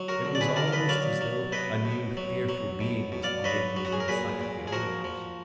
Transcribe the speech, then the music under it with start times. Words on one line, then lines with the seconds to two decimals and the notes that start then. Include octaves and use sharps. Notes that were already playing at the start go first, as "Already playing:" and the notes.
It was almost as though a new fearful being was created within sight of the onlookers.
Already playing: F#3
0.08 F#4 A#4
0.25 D3
0.35 D5
0.40 G#4 B4
0.56 D3 A#4 D5
0.68 F5
0.72 B4 D#5
0.89 F#3 D5 F5
1.21 F#3
1.52 B2 B4 D#5
1.85 B2
2.17 F#3
2.49 F#3
2.81 B2
3.12 B2
3.23 D5 F5
3.44 F#3 B4 D#5
3.76 F#3
3.85 F#4
3.93 G#4
4.00 A#4
4.08 A#2 G#4 B4
4.41 A#2
4.67 G#4
4.73 F3 F#4 A#4
5.04 F3